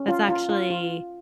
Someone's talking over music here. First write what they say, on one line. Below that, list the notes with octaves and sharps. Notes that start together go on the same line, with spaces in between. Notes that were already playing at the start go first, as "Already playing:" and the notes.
that's actually
Already playing: C#4
F4
F4
F4
F4